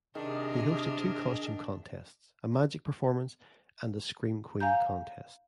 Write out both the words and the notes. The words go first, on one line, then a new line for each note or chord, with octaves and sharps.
He hosted two costume contests, a magic performance, and a scream queen contest.
C3 D#3 D4 G#4 D#5 F6
F5 G#5 A#5 G6